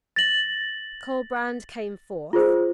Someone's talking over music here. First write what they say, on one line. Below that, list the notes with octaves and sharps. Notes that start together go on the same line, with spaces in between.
Colbrand came forth.
A6 A#6 F#7
F4 G#4 C5